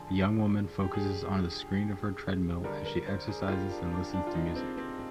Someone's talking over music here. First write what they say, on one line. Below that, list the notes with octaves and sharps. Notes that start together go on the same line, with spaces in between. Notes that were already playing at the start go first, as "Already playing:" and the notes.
A young woman focuses on the screen of her treadmill as she exercises and listens to music.
Already playing: D3 F3 G#4
G4
G#4
D3 G3 A#4
A#4
C5
G#4
G4
F4
D4
D4
D4
F4
D#4
C4
C4